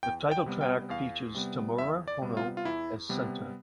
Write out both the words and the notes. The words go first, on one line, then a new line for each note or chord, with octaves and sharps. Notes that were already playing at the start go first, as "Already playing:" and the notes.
The title track features Tamura Hono as center.
E2 G5
G5
C3 G3 B3
G5
E2 F5
C3 G3 B3
E2 E5
D5
C3 G3 B3
F4
F4
E2 E4
C3 G3 B3